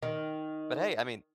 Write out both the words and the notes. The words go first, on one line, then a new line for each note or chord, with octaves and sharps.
but, hey, I mean,
D#3